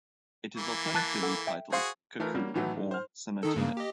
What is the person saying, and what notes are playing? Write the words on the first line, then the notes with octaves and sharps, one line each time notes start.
It is alternatively titled "Cuckoo" or "Sonatina".
E3 A#3
A5 F#6 A6
A4 F#5
E5 G5
F#4 G#4 C5 F5 C6
E3 A3 F4 A#4
G3 A#3 C#4 F#4
A2 D#3 E3 F#3 A3 B3
G#2
C5 F6
D#3 D#4 A4
G2 C#3 A#3
G4 D#5